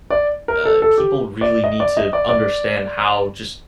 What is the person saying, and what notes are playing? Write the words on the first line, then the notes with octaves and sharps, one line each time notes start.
uh, people really need to understand how just
D5
A#4
A4
A4
G4
D5
D#5
D5
D#5
D5
D5